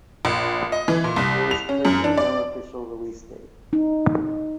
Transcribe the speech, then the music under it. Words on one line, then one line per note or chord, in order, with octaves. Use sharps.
There is currently no official release date.
A#1
D#5
E3
A#2
C2
F7
C#4
F#2
D4
D5
D#4